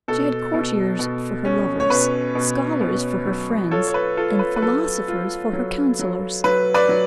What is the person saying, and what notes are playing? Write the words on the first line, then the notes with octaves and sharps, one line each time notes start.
She had courtiers for her lovers, scholars for her friends, and philosophers for her counsellors.
B2 A4
B2
B2
C#4
C#5
B2 B4
B2
B2
F#3
F4 A4 C#5
C#5
B4
F4 A4
C#5
B4
B4
F#3 A4
F4
F#3
F#3
F#3 B4
B4 D5
F#3